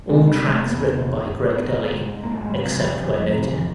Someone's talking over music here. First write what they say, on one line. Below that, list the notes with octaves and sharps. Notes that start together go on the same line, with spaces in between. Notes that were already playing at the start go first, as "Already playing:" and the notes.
All tracks written by Greg Dulli except where noted.
C3 G#3
C3 G3
C3 G#3
A3
E2 A#3
B3
C3
E2
G#2
G#2
G#2 B3
G#2
G#2
G#2
G#2 A#3
A3
G#2 G#3
G3
C3 F#3
G#3
F2 G3
F2
F2
C3 F#3
F2 E3